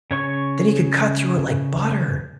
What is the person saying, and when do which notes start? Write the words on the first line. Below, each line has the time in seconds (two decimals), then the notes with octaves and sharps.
Then he could cut through it like butter.
0.11 C#3 C#5 C#6